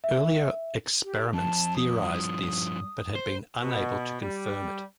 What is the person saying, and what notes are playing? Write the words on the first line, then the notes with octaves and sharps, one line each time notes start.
Earlier experiments theorized this but had been unable to confirm it.
E5
G4
F2 A5
D#6
G2 F3
C5
B2
G3